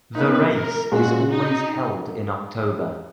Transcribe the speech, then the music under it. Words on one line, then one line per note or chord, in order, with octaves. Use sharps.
The race is always held in October.
B2 A#3 D#4 B4
A#4
A#2 G#3 C#4 F#4
D#4